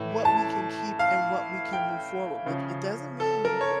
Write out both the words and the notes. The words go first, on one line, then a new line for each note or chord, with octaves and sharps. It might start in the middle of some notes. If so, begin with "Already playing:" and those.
what we can keep and what we can move forward with. It doesn't mean
Already playing: A2 E3
A5
F5
G5
C#3 F3
A4
A#4
C#5